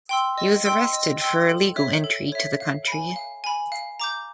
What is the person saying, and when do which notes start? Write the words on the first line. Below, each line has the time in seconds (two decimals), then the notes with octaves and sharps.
He was arrested for illegal entry to the country.
0.09 G5 C6 E6
0.38 D#5
0.65 G5 C6 E6
0.93 D#5
1.21 G5 C6 E6
1.49 A4
1.76 C#5 E5
2.04 A4
2.32 C#5 E5
2.60 F5
2.87 G#5 B5
3.16 F5
3.44 G#5 B5
3.72 F5
4.00 A#5 D6 G6